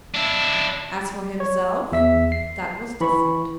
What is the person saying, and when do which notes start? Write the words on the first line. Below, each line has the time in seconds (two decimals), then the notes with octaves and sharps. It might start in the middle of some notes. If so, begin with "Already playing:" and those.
As for himself--that was different.
0.15 D4 E4
1.40 C#5
1.92 E2 E5 B6
2.32 C7
3.01 E3 B5 C#6